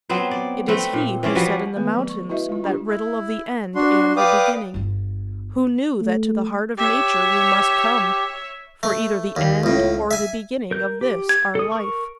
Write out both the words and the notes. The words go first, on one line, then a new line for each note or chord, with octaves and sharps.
It is he who said in the mountains that riddle of the end and the beginning--who knew that to the heart of nature we must come, for either the end or the beginning of this, our life.
F#3 B3 C4 C5
D5
A3 C4 B4
A#2
E3 C#4 C5 D5
F3 G3 F#4 B4
D#3 A3 B3 B4
F#3 G#4
C#6
E4 F#4 B4 D#5 E5
G#3 F4
D4 F4 G4
E4
D4 F#4 C6
B4 D5 F5 G5 D6 D#6
G1 F4
A3
G4 C#5 E5
A3
D#2
C#2 A2
E5 G#5
A#4 G6
G4
G#6
A4 D#6
A#4 C#6